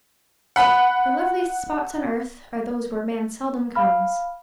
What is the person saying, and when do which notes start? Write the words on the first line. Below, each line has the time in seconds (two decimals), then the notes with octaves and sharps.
The loveliest spots on earth are those where man seldom comes.
0.56 F#5 B5
3.75 F5 B5 F6